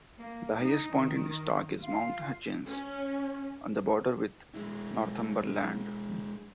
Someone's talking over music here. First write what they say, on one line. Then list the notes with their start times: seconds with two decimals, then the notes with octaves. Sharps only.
The highest point in Stark is Mount Hutchins, on the border with Northumberland.
0.18 A#3
0.59 D#4
0.94 D#3
1.81 F4
2.67 C#4
4.54 G#3 E4